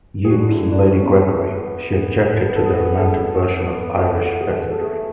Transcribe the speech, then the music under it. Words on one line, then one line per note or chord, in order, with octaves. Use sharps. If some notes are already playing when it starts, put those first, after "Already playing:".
Yeats and Lady Gregory, she objected to their romantic version of Irish peasantry.
G#4
D3 F#4
E4
D4
C#4
B3
A3 C#4
B4
B3
B3 A4
B4
A4
G#4
G#4
A4
B3
A4
A4
G#4
A4
B4
A4
A3 G#4